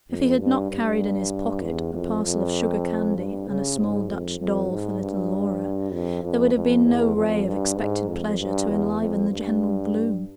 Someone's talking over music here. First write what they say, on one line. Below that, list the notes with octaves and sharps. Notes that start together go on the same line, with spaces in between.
If he had not carried in his pocket a parcel of sugar-candy and a small Dutch doll for little Laura, there would have been no ray of expected pleasure to enliven the general gloom.
F2
G2
G2
E2
F2
F2
G2
C#3
G#2
F2
F2
G#2
G2
F2
F2
F2
E2
F2
G2
G#2
F2
G2
E2
F2
G2